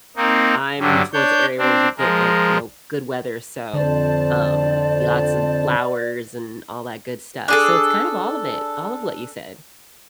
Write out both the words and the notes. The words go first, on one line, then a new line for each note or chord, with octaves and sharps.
I'm towards the area where we could get, like, you know, good weather, so, um, lots of flowers and all that good stuff, so it's kind of all of it all of what you said.
A#3 C4 D#4
G2 D3 F#3 G3
D4 C#5 G6
C4 D4
F3 G#3 A#4
F2 D3 C5 D5 A5
D4 G#4 A4